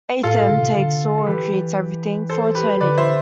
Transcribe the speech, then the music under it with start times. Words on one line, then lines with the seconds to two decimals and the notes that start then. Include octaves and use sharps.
Athum takes all and creates everything, for eternity.
0.23 A2 F4 A4
0.41 A2
0.50 D3
0.58 C3
0.76 D3
1.18 A4
1.26 E3 G4 B4
2.30 A4 C5
2.55 G4 B4
2.81 D3 B4 D5
2.98 C5 E5